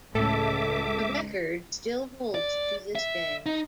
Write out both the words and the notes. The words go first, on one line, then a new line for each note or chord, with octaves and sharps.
The record still holds to this day.
C#2 A2 A4 E5 D6
D5
E5
D#4